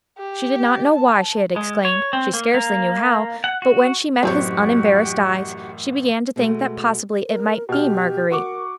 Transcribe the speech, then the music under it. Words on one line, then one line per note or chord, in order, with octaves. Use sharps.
She did not know why she had exclaimed--she scarcely knew how; but when she met his unembarrassed eyes, she began to think that possibly it might be Marguerite.
G4
A5
G#3
C#5
C4
A#3
A#3
F#5
F#4
A1 F#2 F#3 C4 F#4 G4 C#5 F#5
B2 G#3 A3
A#4
B2 G4 F6
F#4 A#4 C#6 D6